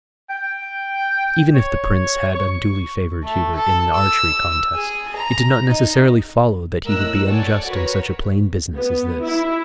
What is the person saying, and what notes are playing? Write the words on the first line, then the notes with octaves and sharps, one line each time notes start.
Even if the Prince had unduly favored Hubert in the archery contest, it did not necessarily follow that he would be unjust in such a plain business as this.
G5
C#5
C#6
A3
A4
E6
G#4
A#5
D#4
A2 A#4 D#5 E6 F#6
A4 C#5 D5 F#5 G#5
F#4 A#4 B4 C#5
B3
E4